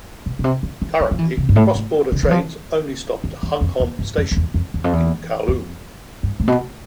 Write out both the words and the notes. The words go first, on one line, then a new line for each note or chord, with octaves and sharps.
Currently cross-border trains only stop at Hung Hom Station in Kowloon.
B2
B2
C3
D3
E3
E3
F3
E3
C3
G2
A2
A2
D3
E3
F3
E2
E2
F2
E2
G2
F2
F2
E2
F2
E2
F2
E2
F2
G2
A2
B2